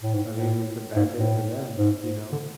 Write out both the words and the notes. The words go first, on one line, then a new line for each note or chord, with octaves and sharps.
I mean, it's a bad day for them, you know,
A2
G#2
A2
G#2
A2
G#2
D3